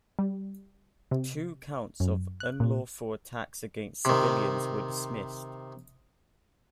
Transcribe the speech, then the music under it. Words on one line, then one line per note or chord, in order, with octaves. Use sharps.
Two counts of unlawful attacks against civilians were dismissed.
G3
C3
F#2
F#6
A#2
C3 D#3